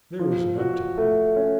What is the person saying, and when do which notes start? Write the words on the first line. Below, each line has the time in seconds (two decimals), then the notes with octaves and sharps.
There was none to pump.
0.19 F3
0.58 F#4
0.97 A3
1.36 C#4